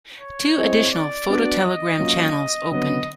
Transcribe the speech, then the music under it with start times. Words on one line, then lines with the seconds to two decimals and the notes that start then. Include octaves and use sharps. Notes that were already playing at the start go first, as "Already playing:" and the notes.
Two additional phototelegram channels opened.
0.21 C#5
0.57 C4 E4 G#4 C5 D#5
0.92 D5
1.28 B3 D4 F#4 B4 D5
1.64 D#5
1.99 F#3 A#3 C#4 F4
2.71 D3 F#3 B3 D#5